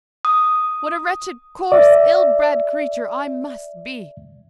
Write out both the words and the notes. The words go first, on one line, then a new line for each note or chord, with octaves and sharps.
What a wretched, coarse, ill-bred creature I must be!
D#6
D5 E5